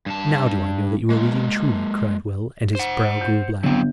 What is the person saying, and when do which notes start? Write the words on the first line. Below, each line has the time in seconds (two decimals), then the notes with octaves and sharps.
"Now do I know that you are reading truly," cried Will, and his brow grew black.
0.06 G2 A5
1.10 G#3 A#3
2.75 C5 F#5
3.21 G6
3.63 G1 F#3 C4